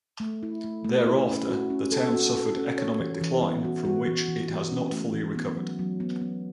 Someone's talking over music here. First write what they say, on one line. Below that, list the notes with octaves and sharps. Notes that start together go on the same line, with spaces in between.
Thereafter the town suffered economic decline from which it has not fully recovered.
A3
E4
A3
A3
E4
C#4
F#4
C#4
A4
F#4
A4
C#4
C#5
E3
E3
B3
F#4
F#4
E3
E3
E3
C#4
A3
E3
B3
F#3
F#3
B3
B3